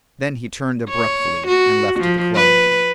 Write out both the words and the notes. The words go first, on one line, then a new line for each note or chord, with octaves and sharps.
Then he turned abruptly and left the club.
C#5
F#4
F3
B4